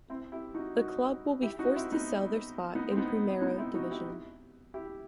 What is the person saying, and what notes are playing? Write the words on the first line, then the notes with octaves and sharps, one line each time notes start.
The club will be forced to sell their spot in Primera division.
C4 E4
E4 G4
D#4 F#4
D#4 F#4
E4 G4
D#4 F#4
C4 E4
B3 D#4
B3 D#4
C4
B3 D#4
B3 D#4
C4 E4
D#4 F#4
E4 G4
E4 G4